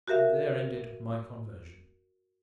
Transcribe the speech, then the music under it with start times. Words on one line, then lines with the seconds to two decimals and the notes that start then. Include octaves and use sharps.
And there ended my conversion.
0.08 F#4 G4 A#4 E5 F5